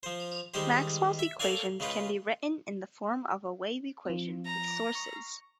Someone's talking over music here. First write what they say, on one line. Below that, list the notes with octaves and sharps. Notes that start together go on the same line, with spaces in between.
Maxwell's equations can be written in the form of a wave equation with sources.
F3 C5
D#3 G3 G#3 D#4 G4 C5
E5
A4 A#4 C#5 D5 F5 G#5
C#3 G#3 F4 B4
F3 C4
A#5
C#6